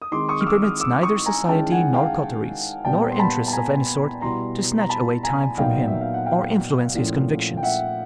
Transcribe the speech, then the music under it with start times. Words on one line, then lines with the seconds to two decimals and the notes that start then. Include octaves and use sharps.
He permits neither society nor coteries, nor interests of any sort, to snatch away time from him, or influence his convictions.
0.02 D#6
0.12 D#3 G#3 C4 D#4 C6 D6
0.29 C#6 D#6
0.41 F6
0.47 D6 E6
0.63 D#6 F6
0.80 D6 E6
1.02 C#6 D#6
1.26 G#5 A#5
1.48 D#3 G#3 C#4 E4 G5 A5
1.72 F#5 G#5
1.93 F5 G5
2.85 A#2 G3 B3 G5 A5
3.12 C6
3.19 A5 B5
3.48 A5
3.53 G#5 A#5
4.21 B2 G3 B3 E4 A#5 C6
4.80 A#5
4.89 A5 B5
5.23 G#5 A#5
5.58 A#2 F#3 B3 D#4 F5 G5
5.88 E5
6.01 F5
6.14 F#5
6.26 F5 G5
6.94 A#2 F3 A3 C#4 E4
7.57 G5
7.63 E5 F#5